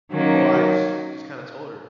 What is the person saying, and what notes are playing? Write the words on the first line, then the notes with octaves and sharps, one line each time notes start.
Well, I just just kinda told her
D#3 F#3 A#3 C#4